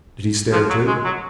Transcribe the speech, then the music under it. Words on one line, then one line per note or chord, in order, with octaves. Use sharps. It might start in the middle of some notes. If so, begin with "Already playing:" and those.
"Did he stare too?"
F3
F#3
G#3
F#3